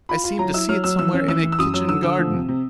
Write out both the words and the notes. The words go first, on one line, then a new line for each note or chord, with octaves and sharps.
I seem to see it somewhere in a kitchen garden.
F4 B5
F4
F#3 A#5
E4 E6
F#3 F6
F#3 E6
E3 E6
C#4
E3 E6
E3
E6
F#2 D#6
F#3 E6
D3 E6
D3 E6
F3
C3
C3